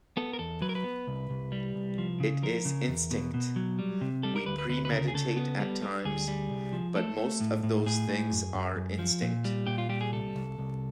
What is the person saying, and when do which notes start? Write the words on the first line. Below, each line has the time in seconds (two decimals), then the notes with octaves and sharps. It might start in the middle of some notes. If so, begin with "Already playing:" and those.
It is instinct... We premeditate at times, but most of those things are instinct.
0.17 B3 A4
0.33 A#4
0.39 E2 A4
0.61 F#3 B4
0.69 A#4
0.75 B4
0.84 B3
1.07 C2
1.30 C2
1.52 G3
1.75 C2
1.98 F3
2.20 C#3
2.43 F3 A#4
2.65 C#3
2.88 E2
3.11 B2
3.34 B2
3.56 F#3
3.79 G3
4.01 C3
4.23 G3 A4
4.36 A#4
4.46 D2 B4
4.58 B4
4.69 D2 B4
4.85 B4
4.92 C#3 A#4
5.08 G#4
5.14 C#3 A4
5.37 B3
5.60 G3
5.83 G3
6.05 D2 G#4
6.28 G3
6.50 C2
6.73 F3
6.95 A3 A4
7.18 A3
7.41 A2
7.63 A2
7.86 A2 G#4
8.09 A2
8.32 F#2
8.55 F#2
8.76 F#2
8.99 F3
9.22 A#2
9.45 G3
9.67 A#2 G4
9.78 F4
9.89 G3 G4
10.01 G#4
10.13 C2 A4
10.35 C2
10.58 C2